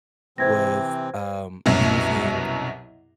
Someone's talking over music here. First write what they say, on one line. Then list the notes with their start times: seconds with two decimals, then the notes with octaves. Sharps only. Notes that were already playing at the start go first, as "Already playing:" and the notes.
was, um, using
0.38 C3 E3 C4 C5 G#6 A#6
1.66 C2 F#2 B2 F#3